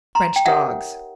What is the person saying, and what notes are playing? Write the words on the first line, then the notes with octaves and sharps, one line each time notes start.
"French dogs!"
A#5 C6
G5
D#4 G4 A#4 C#5 E5 F#5